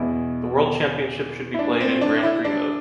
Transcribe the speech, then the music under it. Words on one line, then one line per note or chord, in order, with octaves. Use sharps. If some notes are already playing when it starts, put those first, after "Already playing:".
The World Championship should be played in Grand-Prix-Mode.
Already playing: E2 B2 E4
E4
D4
C4
D4
E4
D4